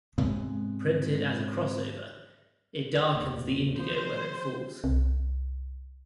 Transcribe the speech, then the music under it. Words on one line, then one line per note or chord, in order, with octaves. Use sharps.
Printed as a crossover, it darkens the indigo where it falls.
G#2 C3 G#3 B3
D1 E2 A#3
D#3 F3 C5
C2